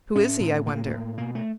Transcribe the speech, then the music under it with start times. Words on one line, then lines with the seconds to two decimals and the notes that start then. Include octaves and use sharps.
"Who is he, I wonder?"
0.15 A2 C#4
0.40 A2
0.66 A2 A#3
0.93 A2
1.17 B2 A#3
1.35 A3